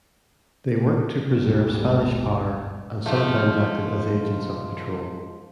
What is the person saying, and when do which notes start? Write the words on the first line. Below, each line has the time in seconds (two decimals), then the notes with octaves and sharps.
They worked to preserve Spanish power and sometimes acted as agents of patrol.
1.40 G1 D2 G#2 B2 G3
3.06 G#2 F3 A3